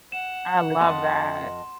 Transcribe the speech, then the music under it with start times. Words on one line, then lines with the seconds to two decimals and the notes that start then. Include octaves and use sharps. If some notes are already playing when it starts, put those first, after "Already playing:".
I love that.
0.12 F#5 E7
0.80 F2 D#5 A5 C6